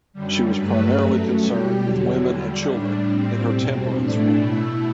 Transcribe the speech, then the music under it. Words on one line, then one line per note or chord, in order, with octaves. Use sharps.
She was primarily concerned with women and children in her temperance work.
F#2 D3 G3
G2 F#3 A3 B4
F#2 F#3 A3
B2 G3 G4
E2 D3 F#3
E2 D3 G3
A2 G3 D4
A2 G3 C4
E2 B2 G3 C4
A2 E3 A3 D4
B2 A3 E4